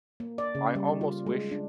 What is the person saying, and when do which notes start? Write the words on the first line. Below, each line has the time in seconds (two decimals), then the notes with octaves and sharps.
I almost wish,
0.20 A#3
0.38 D5
0.55 C#3
0.75 G3
1.01 F4
1.26 G#3
1.51 D4